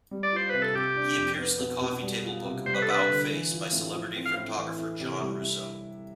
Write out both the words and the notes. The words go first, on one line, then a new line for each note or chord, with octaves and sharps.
He appears in the coffee table book "About Face" by celebrity photographer John Russo.
G3
D5
F4 C5
C3 B4
A4
C3 G4
D4
F2
B3
B2
B2
G3
F4
C3
G3 C5
B4
A4
D4 B4
D3
E3
F4
A2
F3
C4
F5
A2
E3
E4
C3
G3
E4